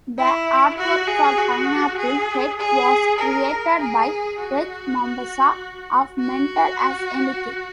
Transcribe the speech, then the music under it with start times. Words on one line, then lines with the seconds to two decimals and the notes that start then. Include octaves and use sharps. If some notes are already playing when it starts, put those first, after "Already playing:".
The artwork for "Pineapple Head" was created by Reg Mombassa of Mental As Anything.
0.18 E4
0.78 F#4
1.07 G#4
1.37 F#4
1.98 G#4
2.58 G#4
3.18 A#4
3.79 G#4
4.39 F#4
6.19 F#4